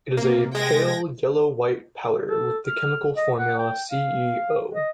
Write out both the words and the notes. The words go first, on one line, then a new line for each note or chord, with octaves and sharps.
It is a pale yellow-white powder with the chemical formula CeO.
C3 A#3
G#3 G5 G#6 A#6
A4
F6
D#5
F#5
G5
F5
D#5